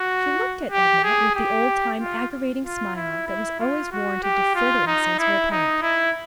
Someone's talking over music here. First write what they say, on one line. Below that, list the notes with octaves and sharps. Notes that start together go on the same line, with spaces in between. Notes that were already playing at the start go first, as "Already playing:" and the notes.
She looked at Edna with the old-time aggravating smile that was always warranted to further incense her opponent.
Already playing: F#4
G4
G#4
G4
F4
F4
E4
E4
F4
F#4
G4
F4
D#4
E4
D#4
E4